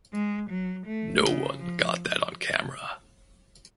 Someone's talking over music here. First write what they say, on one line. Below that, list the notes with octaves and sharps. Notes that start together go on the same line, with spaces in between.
No one got that on camera.
G#3
F#3
A3
C#3
F3